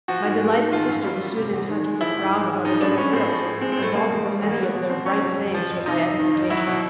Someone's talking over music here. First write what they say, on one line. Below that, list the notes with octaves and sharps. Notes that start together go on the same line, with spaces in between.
My delighted sister was soon in touch with a crowd of other little girls, and brought home many of their bright sayings for my edification.
F3 F#4
G#2
G#3
G#2
D#3 F4
F#2
G3
F#2
C3
E2
D#3
G#3
F3 E4
G#2
G#3
G#2
F3 D#4
A2 D4
G#3 C#4
A2 C4
F3
A2
G#3 C4
C4
A2
A3
B2 A#3
E2
G3
E2 A3
A#3
F#3 B3
B2
B2 C4
F#3 C#4
C#3
F2
F3
F2
C3 D#4
F2
D#3
F2
F#3 E4
B2